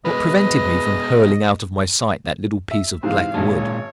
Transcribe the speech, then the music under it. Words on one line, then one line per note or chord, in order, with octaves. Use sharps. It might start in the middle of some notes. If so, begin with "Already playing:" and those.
What prevented me from hurling out of my sight that little piece of black wood?
B2 G#3 B4 D#5
E5
G#2 C3 E3 C5 F5
G#1 A#2 D#3 G#3 C#5 A5